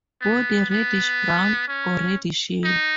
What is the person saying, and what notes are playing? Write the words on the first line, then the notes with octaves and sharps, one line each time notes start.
Body reddish brown or reddish yellow.
B3
B3
C#4
D#4